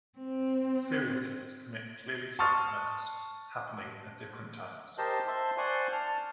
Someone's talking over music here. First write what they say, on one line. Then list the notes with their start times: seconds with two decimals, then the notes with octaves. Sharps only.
Serial killers commit clearly separate murders, happening at different times.
0.19 C4
2.39 A5 C6 C#6 D#6 F6 A6
4.98 G4 A#4 C5 D#5 A5
5.28 C5 E5 A5 C6
5.57 C5 D5 F#5 G#5 C6 C#6
5.92 A5 F6